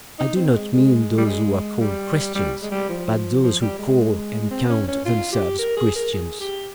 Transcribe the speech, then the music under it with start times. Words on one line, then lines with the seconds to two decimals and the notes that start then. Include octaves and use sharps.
I do not mean those who are called Christians, but those who call and count themselves Christians.
0.19 D#4
0.36 C4
0.55 G#3
0.73 G#3
1.17 G3
1.26 G#3
1.81 G3
2.35 G3
2.62 G#3
2.71 G3
2.89 F3
3.43 F3
3.62 G3
3.78 G#3
4.51 C4
4.70 C#4
4.88 C#4
5.05 F4
5.32 G4
5.59 A#4
5.77 G#4
5.96 A#4
6.14 G#4
6.40 G4